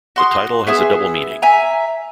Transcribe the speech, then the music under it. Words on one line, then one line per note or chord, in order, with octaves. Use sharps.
The title has a double meaning.
F#4 C6 D#6
B3 G#4 E5 D#6
E5 G#5 A#5